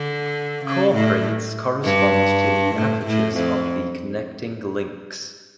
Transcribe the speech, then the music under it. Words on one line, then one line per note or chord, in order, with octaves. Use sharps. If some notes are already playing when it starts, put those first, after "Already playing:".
Core-prints correspond to the apertures of the connecting links.
Already playing: D3
C#3
A2
G2
A2
A2
F2